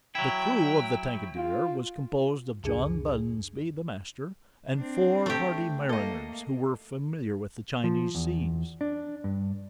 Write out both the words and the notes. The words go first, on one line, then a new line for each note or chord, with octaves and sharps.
The crew of the Tankadere was composed of John Bunsby, the master, and four hardy mariners, who were familiar with the Chinese seas.
F#3 E4 G5
F4
C#2 F#2 D4 G#4 A5
C4 D4
A3 G4
A#3 A4 D#5
F3
E2
D4
G2